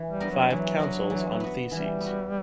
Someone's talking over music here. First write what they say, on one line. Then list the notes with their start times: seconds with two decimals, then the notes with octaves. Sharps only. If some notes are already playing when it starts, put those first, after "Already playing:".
Five Councils on Theses.
Already playing: E3
0.10 G3
0.20 B3 D4 A#4
0.31 F#3
0.50 E3 F#3
0.80 B3 D4 A#4
1.10 E3
1.40 B3 F#4
1.71 E3 G3
2.01 B3
2.06 F#4